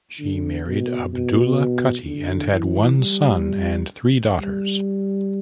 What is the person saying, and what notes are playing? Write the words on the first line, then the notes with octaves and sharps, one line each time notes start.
She married Abdulla Kutty and had one son and three daughters.
D3
B2
B2
D3
E3
G3
G3